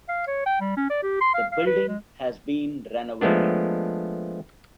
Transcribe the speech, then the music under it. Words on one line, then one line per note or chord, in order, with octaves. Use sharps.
The building has been renovated.
F5
C#5
G5
G3
C#4
D5
G4
C6
F5
F5
B4
G#3
F3 G#3 A3 B3 D4